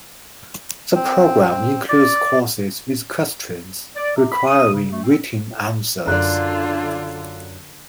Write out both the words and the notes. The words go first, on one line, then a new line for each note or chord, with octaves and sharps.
The program includes courses with questions requiring written answers.
C4
D5
D5
C3
B5
D#6
C#3
A3
C4
F#2 D3 F4 D5 A#5 F#6